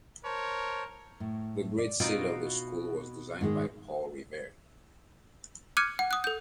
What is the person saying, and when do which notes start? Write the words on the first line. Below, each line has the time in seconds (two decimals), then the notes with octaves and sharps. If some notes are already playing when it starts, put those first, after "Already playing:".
The great seal of the school was designed by Paul Revere.
0.25 A#4 C5 C#5 A5
1.20 A2
1.78 D5
2.00 B2 C4 D#4 F4
3.41 G#2 D#3 G#3
5.77 D6 F6 F#6 G#6 C#7 D#7
5.99 F#5
6.11 D#6 F#6
6.24 A4 G6